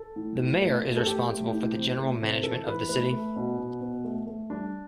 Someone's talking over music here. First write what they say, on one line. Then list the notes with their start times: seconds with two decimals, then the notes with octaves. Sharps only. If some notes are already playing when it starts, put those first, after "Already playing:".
The mayor is responsible for the general management of the city.
Already playing: A4
0.16 A2
0.39 A2
0.62 A3
0.83 A3
0.97 A4
1.07 A3 G4
1.30 A3
1.53 A2
1.75 C3
1.98 A3
2.21 C3
2.43 E3 A4
2.67 E3 B4
2.89 A3 B4
3.12 A3
3.36 B2
3.58 B2
3.81 B2
4.04 A3
4.27 A3
4.50 G3 D4